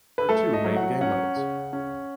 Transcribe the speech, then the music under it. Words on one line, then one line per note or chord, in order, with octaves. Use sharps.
There are two main game modes.
B4
A3 A4
D#5
F#3
F#5
C#4 F#5
C#3
C#4